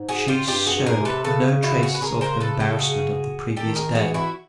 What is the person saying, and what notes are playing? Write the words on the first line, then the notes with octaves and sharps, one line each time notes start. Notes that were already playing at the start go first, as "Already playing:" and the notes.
She showed no traces of her embarrassment of the previous day.
Already playing: G#2
F#4 G#4
F4 G4
G2 F4 G4
F#4 G#4
G2
G#4 A#4
C3
A4 B4
C#3 A4 B4
E4 F#4
F#4 G#4
B4
C#3 G#4 A#4
A#4 C5
A4 B4
G4 A4
F#4 G#4
D#3 G4 A4
G#4 A#4
E3 F#4 G#4
E4 F#4